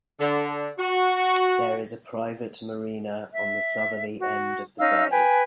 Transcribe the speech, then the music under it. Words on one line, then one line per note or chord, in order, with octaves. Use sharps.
There is a private marina on the southerly end of the bay.
D3
F#4
E5
F#4
C#4 D#4 F5 E6
B4 G5 G#5